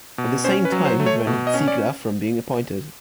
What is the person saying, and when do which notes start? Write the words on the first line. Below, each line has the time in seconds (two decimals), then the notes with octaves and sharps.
At the same time, he prevented Ziegler from being appointed.
0.18 B2
0.44 C#4 C5
0.65 B4
0.72 F#3
0.85 C5
1.00 A3
1.06 C#5
1.27 B2
1.47 D#5
1.54 C#4
1.68 D5